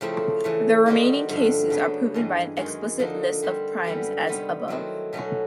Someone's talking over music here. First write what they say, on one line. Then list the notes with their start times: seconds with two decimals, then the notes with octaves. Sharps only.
The remaining cases are proven by an explicit list of primes, as above.
0.01 C#3 F3 A3 C4 E4
0.44 C#3 E3 A3
0.86 D#3 G3 C4 D#4 F#4
1.29 G2 D3 F3 A3
1.70 C#3 F#3 B3 D4
2.14 G2 E3 G#3
2.57 F#2 D#3 G#3
2.99 D3 F3 A#3 D#4
3.42 D3 G3 C4
3.84 F#2 D3 G3 B3
4.27 C3 D#3 G3 B3
4.68 D#3 F#3 A3 C4 E4
5.13 B2 F#3 A3 C#4 F#4